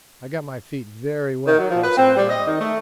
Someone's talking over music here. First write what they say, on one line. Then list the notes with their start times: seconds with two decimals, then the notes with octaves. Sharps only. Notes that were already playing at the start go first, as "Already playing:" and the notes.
I got my feet very wet crossing the latter.
1.46 D#3
1.58 F#3
1.70 F3
1.82 B4
1.97 C4
2.16 G3
2.28 D#5
2.46 D#3
2.60 A3